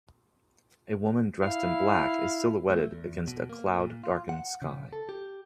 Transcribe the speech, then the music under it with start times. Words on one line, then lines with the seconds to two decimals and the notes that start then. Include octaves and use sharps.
A woman dressed in black is silhouetted against a cloud darkened sky.
1.43 E4 F5
2.70 A3
2.92 E2
3.28 B2
3.49 A#3
3.80 A#2
4.04 F4
4.29 F#5
4.62 C#3
4.93 A4
5.09 G4